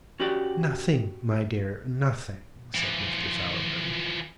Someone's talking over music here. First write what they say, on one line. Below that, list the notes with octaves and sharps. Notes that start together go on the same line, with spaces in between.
'Nothing, my dear, nothing,' said Mr. Sowerberry.
C#4 F#4 G4 D5
E3 F3